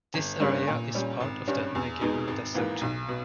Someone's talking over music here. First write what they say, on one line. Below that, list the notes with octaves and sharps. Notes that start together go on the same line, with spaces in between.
This area is a part of the Negev desert.
G1
G2 G3 A#3 C#4
A#2
G3 C#4
G#1
G2 G3 C#4
E2
B2 G#3 D#4
G#1
G#2 E3 A#3
B1
B2